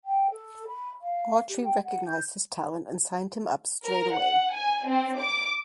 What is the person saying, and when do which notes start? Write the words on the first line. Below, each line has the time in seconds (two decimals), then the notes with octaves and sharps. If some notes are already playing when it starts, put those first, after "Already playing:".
Autrey recognized his talent and signed him up straight away.
0.05 G5
0.31 A4
0.68 B5
1.01 F5
1.49 G4
1.64 G5
1.84 F#5
2.07 G6
3.83 A#4
4.13 F#5
4.53 G#5
4.85 C4
5.18 D6